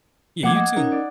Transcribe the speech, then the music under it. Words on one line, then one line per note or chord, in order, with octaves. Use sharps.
Yeah, you too.
F3 A3 A#3 F#5 D6 G#6
D#5 F#5
C#4 D#4 A#4
D5